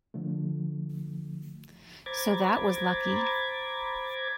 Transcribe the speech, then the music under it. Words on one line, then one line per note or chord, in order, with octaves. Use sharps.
So that was lucky.
D3 F3 A3
C5 A#5 B5 D6 G#6 A6